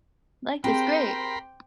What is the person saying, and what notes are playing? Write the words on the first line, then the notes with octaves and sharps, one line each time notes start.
Life is great!
C4 G4 G#4 A#4 C5 G5 B5 C6